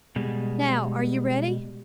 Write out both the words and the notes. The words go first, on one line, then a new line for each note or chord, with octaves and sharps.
Now are you ready?
B2 G3 G#3